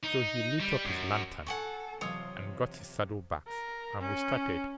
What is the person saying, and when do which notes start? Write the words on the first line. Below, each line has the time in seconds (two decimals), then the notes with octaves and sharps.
So he lit up his lantern, and got his saddle-bags, and we started.
0.04 D#4
0.60 G3
0.85 F#2
1.47 A4 F#5 G#5 C#6
2.01 C3 E3 F#3 F4 C#5 D#6
3.47 A#4
4.00 C#4